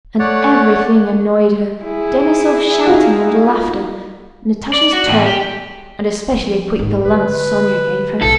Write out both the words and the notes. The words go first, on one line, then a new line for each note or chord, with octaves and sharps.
And everything annoyed her--Denisov's shouting and laughter, Natasha's talk, and especially a quick glance Sonya gave her.
A3 C#5 D5 F#5
E4 G#4
D#4 F4 F#4
D5
F#4
E2 A2
G4
F3 C4
G#2 D#3
D3 B4
B1 A4